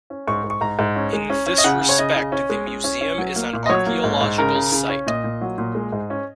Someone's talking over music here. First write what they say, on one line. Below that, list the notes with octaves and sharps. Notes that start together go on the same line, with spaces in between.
In this respect the museum is an archaeological site.
C#4
G#2 C#6
G#2
C#6
G#2 A#5
G#2
C#4
G#3
C#4
C#4
D#5
C#3 F#5
C#3
C#5
C#3 D#5
C#3
C#4
G#3
C#4
C#4
C#4
F#3
A#3
A#2
D#5
F#3 C#5
A#3
G#2
G#2
C#3 A#4
C#3
C#3
C#4
A#2 D#5
A#2
F#3
A#2
G#3
G#2
C#4